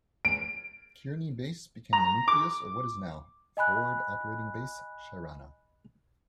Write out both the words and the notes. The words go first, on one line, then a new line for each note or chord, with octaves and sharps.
Kearney Base became the nucleus of what is now Forward Operating Base Sharana.
D7
A#5
D6
D#5 G#5 B5 F#6